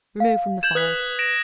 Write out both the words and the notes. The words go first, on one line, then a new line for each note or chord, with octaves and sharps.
Remove from the fire.
F5
G6 G#6 E7 F#7
B4 D#6 F#6 B6
A#6 D7 E7